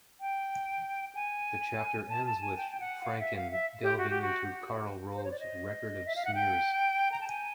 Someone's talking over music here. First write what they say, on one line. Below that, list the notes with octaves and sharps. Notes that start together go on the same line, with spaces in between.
The chapter ends with Franken delving into Karl Rove's record of smears.
G5
G#5
A5
A5
G#5
G5
G5
F#5
F5
E5
F5
E5
G4
F#4
G4
F#4
C5
C#5
D5
D#5
E5
F5
F#5
G5
A#5
A5
G#5